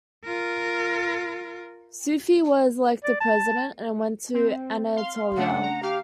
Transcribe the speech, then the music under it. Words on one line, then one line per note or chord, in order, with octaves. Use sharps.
Suphi was elected President and went to Anatolia.
F4 A#4
D5
A5
C4
F5 C6
C#3 A3 D4 F#5
A#5
G4 F5